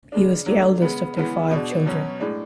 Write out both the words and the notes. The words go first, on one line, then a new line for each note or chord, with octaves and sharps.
He was the eldest of their five children.
C#3 G#3 D4
F#3 A3 D4
C#3 G#3 B3
C#3 E3 G#3 B3
B2 G#3 D4
B2 F#3 C#4
A2 G#3 D4